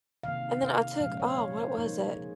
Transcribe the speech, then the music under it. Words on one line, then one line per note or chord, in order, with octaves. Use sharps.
And then I took Oh, what was it?
C3 D#3 A#3 F5
F5
A#2 F3 G#3 C#4 F5
C#5
C#5
C5
C#3 F3 A#3 D#4 A#4
G#4